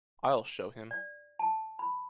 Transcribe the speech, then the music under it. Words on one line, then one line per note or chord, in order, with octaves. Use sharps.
I’ll show him.
D5
A5
B5